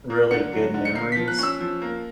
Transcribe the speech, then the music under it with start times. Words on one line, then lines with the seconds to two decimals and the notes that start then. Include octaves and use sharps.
really good memories,
0.10 A#3
0.31 D3 C#7
0.53 F#3
0.74 D3
0.85 C#7
0.95 A#3 C7
1.12 F3 B6
1.28 F#6
1.39 C#4 E6
1.60 F3
1.82 A#3